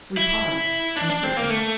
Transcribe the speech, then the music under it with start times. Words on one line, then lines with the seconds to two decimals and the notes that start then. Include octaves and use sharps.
We paused uncertain.
0.17 E4
0.96 D4
1.10 D4
1.24 C4
1.37 A#3
1.50 A3